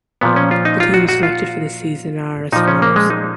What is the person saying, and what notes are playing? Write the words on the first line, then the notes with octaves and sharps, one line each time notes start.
The teams selected for this season are as follows.
A#2 F3 B3
C#4
F4
D#4
F4
F#4
F#4
F4
A#2 F3 D#4
C#4
A#3
G#3
D#4